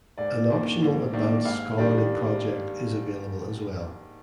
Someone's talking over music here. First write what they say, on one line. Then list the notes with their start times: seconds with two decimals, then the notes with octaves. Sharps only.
An optional advanced scholarly project is available as well.
0.18 G#2 D5
0.50 D#3 A#3 D4
0.82 G#2
1.13 D#3 A#3 D4
1.45 G#2 F5
1.78 D#3 G3 D4